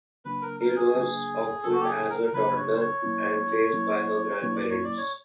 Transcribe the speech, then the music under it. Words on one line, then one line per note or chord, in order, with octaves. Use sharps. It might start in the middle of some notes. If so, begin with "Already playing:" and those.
Hill was orphaned as a toddler and raised by her grandparents.
C#3 F#3 A#3 D4 B4
A#4
A#4
G#4
C#3 F#3 A#3 D4
C#3 F#3 A#3 D4 A4
F#4
G4
G#4
A#4
A#4
C#3 F#3 A#3 D4 B4
C#5
C5
C#5
B2 F#3 A#3 C#4 E4
B2 F#3 A#3 C#4 E4
B2 F#3 A#3 C#4 E4 C#5
D5
C#5
D5
C#5